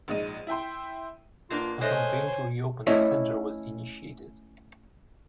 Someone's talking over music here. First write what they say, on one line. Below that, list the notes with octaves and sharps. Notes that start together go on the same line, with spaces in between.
A campaign to re-open the centre was initiated.
A#1 G#2 D#5 D#7
E4 E5 G5 C6
B2 A#3 D4 F4
G#3 A3 C5 C#5 D#5 G#5
A3 C#4 E4 C#5 D#5 E5